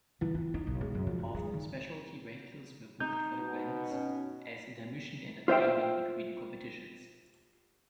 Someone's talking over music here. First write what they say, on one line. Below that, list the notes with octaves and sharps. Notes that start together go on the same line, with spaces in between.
Often, specialty vehicles were booked for events as intermission entertainment between competitions.
E3
E4
D#4
B1
G#3
F#2
F3
F#2
G#3
D#3
D#4 G6
B2
C#4
F4 C5 E5 G5